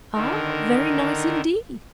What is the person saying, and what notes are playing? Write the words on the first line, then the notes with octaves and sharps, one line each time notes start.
Ah! very nice indeed.
D3 D#3 A#4